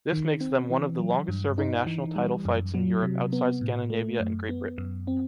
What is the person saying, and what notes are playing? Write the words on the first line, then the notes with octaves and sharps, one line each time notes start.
This makes them one of the longest-serving national title fights in Europe outside Scandinavia and Great Britain.
D#3
C4
E3
F#3
G2
D#4
E3
G3
F#2
F#3
C3
B3
A2
A3
F#2
B3
F#2
C4